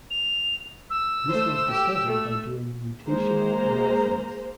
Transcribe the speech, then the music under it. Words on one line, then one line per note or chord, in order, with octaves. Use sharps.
This was discovered by doing mutational analyses.
F7
E6
A3 C5
G4
A3
G#3 A#3 C5 A#5